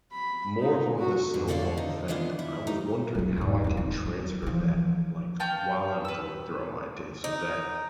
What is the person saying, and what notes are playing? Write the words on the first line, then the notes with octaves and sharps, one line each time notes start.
more of on the snowball effect, I was wondering how I can transfer that, like, while I'm going throughout my day so that
B5
D#4
F#4
F2
F2 D3 A4 C#5 D5 F5
D#4
E3 G#3 B3 D4 F4
E4
D#4 G4
F#3 C#4
E2 G#2
C4 E4
D#2
F#3
E3 F3
C#4 F5 G5 A5
B4 E6
D#4